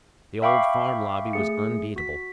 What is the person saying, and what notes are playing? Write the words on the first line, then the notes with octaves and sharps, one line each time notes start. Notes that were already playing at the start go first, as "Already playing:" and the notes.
The old Farm Lobby was unbeatable.
E5 F5 G5 B5 C#6 D6
A3 G#4 C#7
F#4 B6